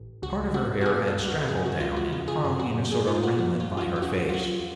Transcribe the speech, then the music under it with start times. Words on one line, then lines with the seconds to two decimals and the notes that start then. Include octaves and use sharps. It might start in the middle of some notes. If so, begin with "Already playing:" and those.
Part of her hair had straggled down, and hung in a sort of ringlet by her face.
Already playing: A1
0.22 C#2 F#4
0.54 A3 F#4
0.81 F#4
0.86 B2 G#4
1.07 A4
1.18 C#2
1.28 F#4
1.48 F#2 G#4
1.66 F#4
1.80 G#3 F4
1.97 F#4
2.12 C#3 F4
2.28 G#4
2.44 F#2 G#4
2.60 F#4
2.75 F#2
2.92 G#4
3.07 A3 F4
3.23 F#4
3.39 F3 F#4
3.60 F4
3.71 F#2
3.77 F4
3.81 F#4
3.96 F4
4.02 C#4 F#4
4.29 F4
4.34 F#3 F#4